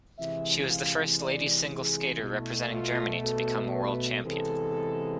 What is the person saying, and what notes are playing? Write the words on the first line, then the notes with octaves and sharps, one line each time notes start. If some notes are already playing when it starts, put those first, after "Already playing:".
She was the first ladies' single skater representing Germany to become a world champion.
C3 E3 G#3 E5
F5
D5
G#4
B2 A3 E4
F4
A4
B4
C3 E3 G#3 B3 A4